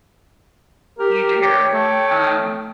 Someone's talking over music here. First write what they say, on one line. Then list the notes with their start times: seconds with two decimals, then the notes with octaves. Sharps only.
You do, um
0.99 G4 A#4
1.42 G4 C#5 G5
1.74 A3